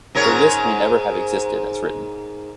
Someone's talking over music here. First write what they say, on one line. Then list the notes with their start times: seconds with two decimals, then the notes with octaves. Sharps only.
The list may never have existed as written.
0.15 G#2 A#4 C#5